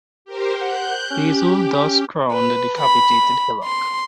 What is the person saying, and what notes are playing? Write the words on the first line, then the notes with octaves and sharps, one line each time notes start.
Basil thus crowned the decapitated hillock.
G4 A#4 C5
F#5 F#6 G6
C#4 G4
B4
B5
C6